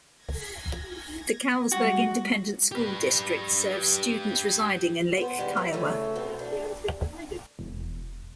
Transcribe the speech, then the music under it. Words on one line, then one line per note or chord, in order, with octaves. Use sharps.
The Callisburg Independent School District serves students residing in Lake Kiowa.
G#6 A#6
G3 G#3 F#4
G4 B4
B3 C5
D#3 G3 G#3
E3 G3
D2 C#3 A3
B2 B3 C4
D4
E1